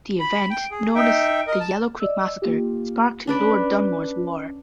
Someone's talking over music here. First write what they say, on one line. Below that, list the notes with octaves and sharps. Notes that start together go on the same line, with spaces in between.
The event, known as the Yellow Creek massacre, sparked Lord Dunmore's War.
B5
G5
G#4
D#4 E5 G5
A#4 D#5
A5
D5 D#5 E6
A#3 F4 G4
C#4 D4 B4 D5